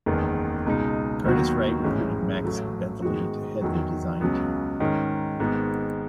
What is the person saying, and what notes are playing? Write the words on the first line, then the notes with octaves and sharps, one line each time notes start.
Curtiss-Wright recruited Max Bentele to head their design team.
F#1 E2 D#3 G#3 B3
C#2 B2 G#3 D#4
D#2 D#3 F#3 B3 F#4
A1 G#2 E3 G#3 C#4
A1 A2 F#3 A3
G#2 D#3 G#3 B3 F#4
E2 D#3 F#3
C#2 C#3 F#3 B3
G#2 D#3 G#3 C#4 G#4
G#1 G#2 D#3 G#3 B3